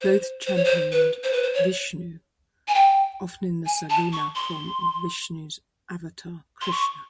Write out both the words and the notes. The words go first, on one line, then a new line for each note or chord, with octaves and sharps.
Both championed Vishnu, often in the "saguna" form of Vishnu's avatar Krishna.
C5
C5
C#5
C5
B4
C5
B4
C5
C#5
G#5
G5
G#5
A5
C#6
C6
C6
C#6